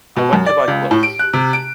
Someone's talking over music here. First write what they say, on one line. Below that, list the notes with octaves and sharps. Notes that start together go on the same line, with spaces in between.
I went to buy clothes.
B2
F#2
D5
C#2
A2
D7
F#6
C3
D7